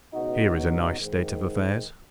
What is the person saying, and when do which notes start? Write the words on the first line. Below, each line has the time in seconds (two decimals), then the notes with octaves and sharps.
Here is a nice state of affairs.
0.13 C#2 B2 D#4 F#4
0.56 D#4 F#4
1.00 G#2 D#3